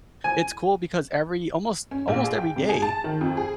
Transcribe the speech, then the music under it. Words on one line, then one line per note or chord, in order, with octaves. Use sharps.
it's cool because every almost almost every day,
G#5
C#4
A#1
G#4
G5
C3
G#4
A5
D#3
F2
G#4